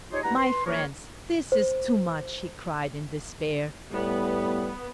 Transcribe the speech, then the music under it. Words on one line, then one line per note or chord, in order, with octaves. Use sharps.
"My friends, this is too much," he cried in despair.
D#4 F4 G4 G#4 C5 C#5
G2 A3 E4 F#5 A#5
B4 C6
C#2 F3 A#3 A#4 C#5
C5
A2 G3 B3